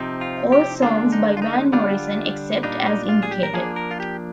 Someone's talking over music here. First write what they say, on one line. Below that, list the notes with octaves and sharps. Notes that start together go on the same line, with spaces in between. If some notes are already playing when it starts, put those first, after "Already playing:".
All songs by Van Morrison except as indicated.
Already playing: C3 F3 C4 D#4
F4
G4
D3 G#3 D4 F4
D#4
F4
D#4
D3 G3 D4 F4
A#2 G3 D4 D#4
D#4
F4
G#4
G4
A#4
F3 A#3 D4 G#4
A#4
F4
G4